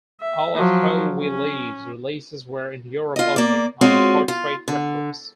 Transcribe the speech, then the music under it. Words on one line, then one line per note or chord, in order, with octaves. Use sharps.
All of How We Live's releases were in Europe only, on Portrait Records.
E5
F3 F#3
C#4
F4 D#5
A#3 D5
G#3 C4 C#4 F4 F#4
F4
D3